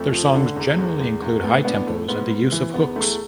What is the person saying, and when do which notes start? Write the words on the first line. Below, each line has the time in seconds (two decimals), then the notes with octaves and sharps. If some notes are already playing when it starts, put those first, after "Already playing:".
Their songs generally include high tempos and the use of hooks.
Already playing: F2 A3
0.13 F3
0.34 D3
0.56 E2
0.78 E2
1.00 E2
1.22 E2
1.43 A2 B3
1.65 A2 B3 D4
1.87 A2 A3
2.08 G#2 B3
2.31 G#2
2.52 E3
2.74 E2 B3
2.96 E2 A3